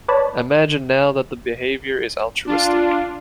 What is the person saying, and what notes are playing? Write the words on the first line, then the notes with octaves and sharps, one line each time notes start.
Imagine now that the behavior is altruistic.
B4 C#5 D5 A5 B5
D4 F4